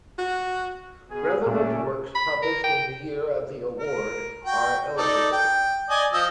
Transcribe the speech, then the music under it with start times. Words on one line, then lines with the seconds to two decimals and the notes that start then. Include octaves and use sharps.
Relevant works published in the year of the award are eligible.
0.18 F#4
1.10 B2 G#4
1.46 A#2 A3 C#4 D4
2.15 B5
2.42 A#4
2.64 G5
3.79 A#4
4.46 F#4 G5
4.98 D#4 A4 D5
5.32 G5
5.90 D5 D#5 G#5
6.13 F3 D#5 E6